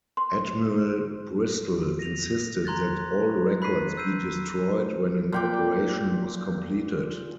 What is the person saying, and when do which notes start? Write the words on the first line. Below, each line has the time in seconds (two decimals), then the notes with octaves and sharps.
Admiral Bristol insisted that all records be destroyed when an operation was completed.
0.17 C6
1.99 A#6 D#7 F7
2.65 A#5 C6 F#6 G#6 A6
3.62 B5 F#6 B6 C7 D#7
3.97 E6 G6 C7 D#7
5.32 A#2 G5 D6